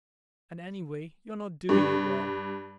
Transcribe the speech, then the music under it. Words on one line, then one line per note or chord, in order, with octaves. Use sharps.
And anyway, you're not doing it well.
G2